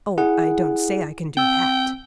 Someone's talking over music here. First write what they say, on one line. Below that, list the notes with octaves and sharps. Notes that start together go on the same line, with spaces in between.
"Oh, I don't say I can do that."
E4 G#4 F#5
C4 G5 E6